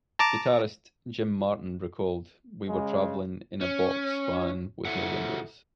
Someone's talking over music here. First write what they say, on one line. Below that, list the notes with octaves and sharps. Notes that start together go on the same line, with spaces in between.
Guitarist Jim Martin recalled We were travelling in a box van with no windows.
A5 A#5 D6
C#3 G#3
C#4
E4 F4 A4 E5 F#5